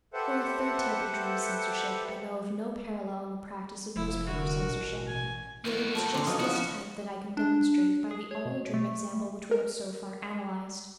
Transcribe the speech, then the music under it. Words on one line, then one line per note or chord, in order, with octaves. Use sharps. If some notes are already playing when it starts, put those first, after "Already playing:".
For a third type of dream censorship I know of no parallel in the practice of newspaper censorship, yet it is just this type that I can demonstrate by the only dream example which we have so far analyzed.
G4 A4 B4 C5 E5 F#5
F1 F3 E4
D3 F#4 A#4
A1 B2
G#5
D#3 A#3 B3 E4 F#4
F2 A2 F3 A4
D#2 A#2 D3 C6
C#3 F3 F#3 D#4 B4
B3 C#4 E4 F#4
D4
G#4
C#5
B2
A3
A#4